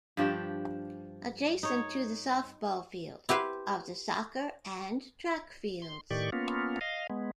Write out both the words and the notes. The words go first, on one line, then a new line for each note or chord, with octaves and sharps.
Adjacent to the softball field are the soccer and track fields.
G2 F3 D4 G4
D#4 C#5
E4 G4 B4 C5
C6
A2 D#3 G4 D5 C#6
A#3 B3 C#4 F4
D#5 F5
G#3 B3